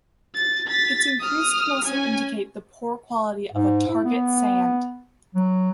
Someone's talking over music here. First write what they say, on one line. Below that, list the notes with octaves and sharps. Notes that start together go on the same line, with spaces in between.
Its increase can also indicate the poor quality of a target sand.
A6
A6 B6
D#6 F6
C#4 G#5
G#2
E4
B3
F#3